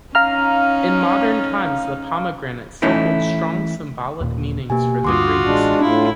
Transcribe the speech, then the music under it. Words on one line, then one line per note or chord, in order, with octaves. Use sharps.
In modern times, the pomegranate still holds strong symbolic meanings for the Greeks.
C#4 D#4 F5 A#5 F6
E3 A3 C#4 D#4 E4
D#2 A#2
B2 A#3 G4 G#5
D2 G2 F4 F#4 C6 D6 D#6
A1 G#3 D4
A2 D4 E4 F4